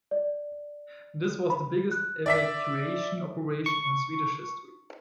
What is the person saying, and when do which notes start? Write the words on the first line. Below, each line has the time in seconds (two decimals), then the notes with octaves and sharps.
This was the biggest evacuation operation in Swedish history.
0.11 D5
1.50 B5
1.91 F#6
2.26 D5 E5 B6
3.66 C#6